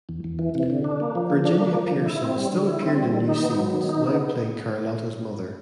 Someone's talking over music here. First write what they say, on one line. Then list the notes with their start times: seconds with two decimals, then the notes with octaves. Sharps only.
Virginia Pearson still appeared in new scenes, now playing Carlotta's mother.
0.09 E2
0.24 E2
0.39 E3
0.55 C3
0.70 D3
0.84 D4
1.00 A#3
1.15 F3
1.30 D3
1.45 D4
1.61 A#3
1.76 F3
1.92 D3
2.06 E4
2.22 C4
2.37 G3
2.52 D3
2.67 E4
2.82 C4
2.98 G3
3.13 D#3
3.28 D#4
3.43 B3
3.59 F#3
3.73 D#3
3.89 D#4
4.04 B3